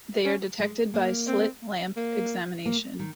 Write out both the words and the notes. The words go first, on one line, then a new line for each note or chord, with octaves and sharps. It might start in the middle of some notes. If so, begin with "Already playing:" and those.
They are detected by slit lamp examination.
C#4
G#3
A#3
C4
A#3
A#3
D#3